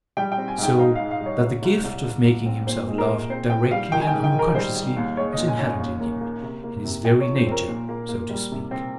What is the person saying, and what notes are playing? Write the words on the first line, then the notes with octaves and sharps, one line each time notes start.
So that the gift of making himself loved directly and unconsciously was inherent in him, in his very nature, so to speak.
G3 G5
G5
C4
G#5
G#2
G5
D#4 F5
F5
G#2
F5
G3
C#5
C2
C2
C2
G2
G2
C4
A#2 C5
G#3
A#4
A#2
C4 C5
C4 G5
G3 F5
D#3 G5
G#5
G5
G#2
G5
D#3 A#4
G3 C5
G3
D#2
G#3 C#5
D#5
A#2
G#5
C#4
G#5
D#2
A#3
A#3
C3
A#3
C3
G#3 G5
C#5
F3
C5
C4 A#4
A#2
A#3
A#3
G3
C3
C4